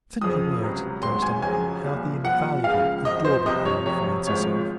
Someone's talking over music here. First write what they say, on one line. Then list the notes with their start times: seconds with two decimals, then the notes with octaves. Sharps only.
Send me word, Dearest Emma! how the invaluable, adorable Queen, finds herself.
0.21 F2 C#3 F3 D#6
0.62 C#2 C3 F#3
1.03 G#1 G#2 F#3 C6
1.22 G#5
1.42 F2 C#3 F#3 G#5
1.84 C2 A#2 F3
2.23 C2 A#2 F3 F#5
2.64 C#2 C#3 F3 F5
3.04 G#1 F#2 F3 D#5
3.25 C5
3.46 C2 C3 F3 D#5
3.65 C#5
3.86 F2 C3 F#3 C#5
4.27 G#1 G#2 F3 C#5